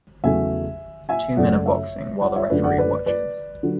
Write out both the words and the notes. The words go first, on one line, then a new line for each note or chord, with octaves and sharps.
Two men are boxing while the referee watches.
E2 C#3 F#3 A3 E5 G#5
E5 G#5
F#2 C#3 F#3 A3 D5 F#5
C#5 E5
D5 F#5
C#5 E5
F#2 D3 A3 B4 D5
D5 F#5
B4 D5
B4 D5
D3 F#3